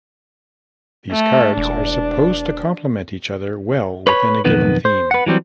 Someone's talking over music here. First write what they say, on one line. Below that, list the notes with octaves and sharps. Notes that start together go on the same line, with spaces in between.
These cards are supposed to complement each other well within a given theme.
A3
E1 D4
B4 C#5 A#5 B5
B1 F2 D#3 B3 B4
C5
B4 F#5
E3 F#3 G3 C4